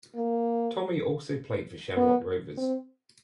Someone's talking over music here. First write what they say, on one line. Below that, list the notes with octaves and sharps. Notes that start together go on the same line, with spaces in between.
Tommy also played for Shamrock Rovers.
A#3
B3
C4